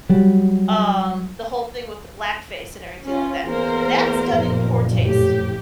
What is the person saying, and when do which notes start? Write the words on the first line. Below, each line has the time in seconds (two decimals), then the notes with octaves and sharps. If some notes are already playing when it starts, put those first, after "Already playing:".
Um, the whole thing with the blackface and everything like that. That's done in poor taste
0.09 F#3 G3
3.04 C#4 F4
3.45 E2 A#3 A#4 C5
4.29 F#1 F2 A#2
5.05 A2 G4